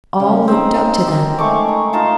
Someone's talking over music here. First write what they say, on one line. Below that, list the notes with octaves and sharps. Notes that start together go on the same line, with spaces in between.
All looked up to them.
C#3
C4 D#4
G4 A#4
G#3 A3 C#6 D6
D#4
D#4 F4 A5 C6